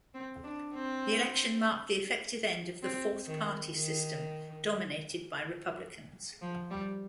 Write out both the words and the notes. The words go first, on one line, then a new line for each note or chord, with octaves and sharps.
The election marked the effective end of the Fourth Party System, dominated by Republicans.
C4
D4
C4
C4
D#3
D#3
F3
G3